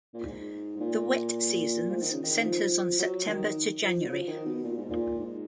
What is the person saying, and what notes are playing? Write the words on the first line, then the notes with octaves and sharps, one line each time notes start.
The wet seasons centers on September to January.
A#2
G#2
G#2
A#2
F3
D#3
C#3
D#3
F3
F#3
D#3
F3
F#3
F3
F3
D#3
B2
A#2
G#2
A#2
G#2